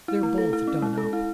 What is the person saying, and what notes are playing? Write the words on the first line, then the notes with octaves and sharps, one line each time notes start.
They're both done up.
E4
A3
A4
E4
C#4
G#3
A4
E4